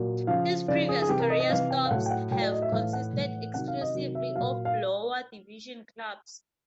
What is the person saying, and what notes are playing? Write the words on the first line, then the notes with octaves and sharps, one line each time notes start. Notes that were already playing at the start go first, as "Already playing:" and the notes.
His previous career stops have consisted exclusively of lower division clubs.
Already playing: A#2 F#3
C#3 F3 F5
C#3 F3 D5
G#4
G#4
C3 E3 G4
A#4
D#5
D#5
C3 E3 F5
G5
F5
A2 F#3 F#5
G5
F#5
A2 F#3 G5
D5
D#5
E5
A2 E3 F5
F#5
A2 E3
C3 D#3 F#3 F#5
F5
D#5
C3 D#3 F#3
E5
A#2 F#3 F5
F5